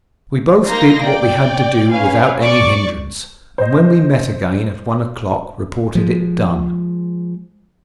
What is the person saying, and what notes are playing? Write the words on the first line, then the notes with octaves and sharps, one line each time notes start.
We both did what we had to do without any hindrance, and when we met again at one o'clock reported it done.
A#3 D#4 A#5 C6 A#6
D5 G5
C#4 B4 F5 G#5
D5 C#6
C5 D#5
F3 G#3